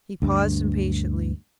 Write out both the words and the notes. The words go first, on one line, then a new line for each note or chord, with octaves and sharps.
He paused impatiently.
D2 G2